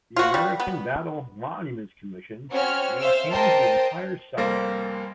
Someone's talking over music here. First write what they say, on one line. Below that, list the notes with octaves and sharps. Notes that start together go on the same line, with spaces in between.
The American Battle Monuments Commission maintains the entire site.
F4 F#4
G3
B3
C4 C#4 F#4 C#5 F6
C5 E5 F5 E6 F6
A#4 C5 D#5 G5 A5
F1 G3 A#3 C5 A#6